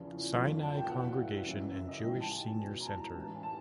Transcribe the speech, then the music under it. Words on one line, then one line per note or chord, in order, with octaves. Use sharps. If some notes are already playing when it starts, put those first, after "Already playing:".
Sinai Congregation and Jewish Senior Center.
Already playing: E2 C#3 F3
F#1 F2 D3 F3
A5
G5
E2 B2 F#5
F5
E5
F#1 F#2 C#3 E3
E5
D#5
A1 G#2 F3 G5
A5
G#5
E2 B2
A#5
A5
A1 G#2 E3
G#5
A5